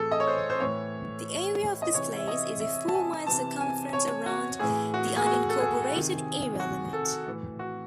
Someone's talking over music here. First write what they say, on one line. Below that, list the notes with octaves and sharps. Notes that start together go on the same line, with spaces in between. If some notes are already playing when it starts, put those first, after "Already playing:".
The area of this place is a four-mile circumference around the unincorporated area limit.
Already playing: A2 E3 G#4 A4
D#5
C#5
C5
C5
A2 E3 C#5
D#5
C3 E3 C#5
E5
D#5
E5
A5
G#5
C3 E3 A5
G#5
C#5
F#4
A2 E3 G#4
F#4
G#4
F#4
A4
G#4
C3 D#3
F#4
A4
A2 E3
F#4